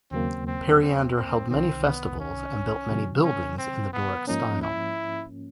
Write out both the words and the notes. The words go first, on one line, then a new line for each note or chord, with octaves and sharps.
Periander held many festivals and built many buildings in the Doric style.
D#2 C#3 F#3 A#3 C4
C4
C4
C4
C2 C3 D#3 C4
B3
C#4
C3 D#3 F#3
C#4
C4
B3
G#2 F3 A#3 C#4 D#4
E4